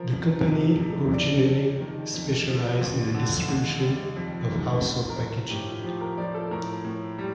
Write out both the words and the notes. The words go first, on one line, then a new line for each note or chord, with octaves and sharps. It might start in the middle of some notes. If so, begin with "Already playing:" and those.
The company originally specialised in the distribution of household packaging.
Already playing: F3 A#4
F2
C3
F2
G3 D5
F2
D#3
F2
F3
D#2
D3
D#2
G3
F2
D#3
F2
A#4
A2 C5
A#4
A2 G4
F4
F3 G4
A#4
F3 D5
A4
A2 A#4
A2
G3